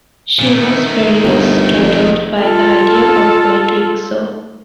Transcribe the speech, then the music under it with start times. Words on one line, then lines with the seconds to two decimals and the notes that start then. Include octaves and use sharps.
She was very much startled by the idea of my doing so.
0.39 A#2
0.54 D#3 A3
1.23 G1
1.74 F1
2.41 F4 A4